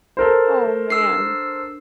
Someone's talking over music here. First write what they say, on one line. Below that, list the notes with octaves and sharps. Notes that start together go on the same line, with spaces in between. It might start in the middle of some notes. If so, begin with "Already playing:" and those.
Oh man.
A4 A#4 C5
D4 E6 C7